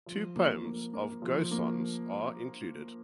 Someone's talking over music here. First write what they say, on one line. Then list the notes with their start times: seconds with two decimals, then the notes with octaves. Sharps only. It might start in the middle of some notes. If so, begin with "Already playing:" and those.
Two poems of Gosson's are included.
0.06 F3
0.35 A#3
0.65 A#3
0.93 A#3
1.22 F3
1.51 A#3